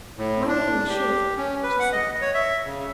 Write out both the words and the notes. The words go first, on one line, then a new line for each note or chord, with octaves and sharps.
"My name is Shaeffer," she said.
A2
D4
G4
C#4
B4
F#5
D#5
C#5
E5
C#3